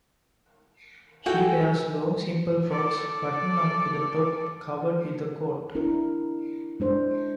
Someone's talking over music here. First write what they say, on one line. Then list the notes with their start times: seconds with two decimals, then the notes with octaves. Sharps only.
She wears long simple frocks buttoned up to the top covered with a coat.
1.26 F#4 A4 G5 G#5
2.68 A4 D5
5.75 D4 E4 A#4
6.80 G#3 D4 C5